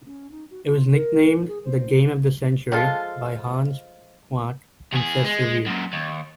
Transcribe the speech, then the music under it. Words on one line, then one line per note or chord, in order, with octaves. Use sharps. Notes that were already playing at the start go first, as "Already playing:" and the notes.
It was nicknamed "The Game of the Century" by Hans Kmoch in "Chess Review".
C#4
D#4
F#4
F4
A#4
G#4
C5
F3 G#3 F4 A4
E2 G#4
G#3
F#2 A#2
D#2